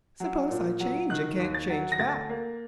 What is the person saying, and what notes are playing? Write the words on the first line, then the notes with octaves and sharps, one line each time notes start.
"Suppose I change and can't change back?"
F#3
A#2
F#3
D#3 F#6
D#2
A6
F#3
A#6
D2 A6
A#3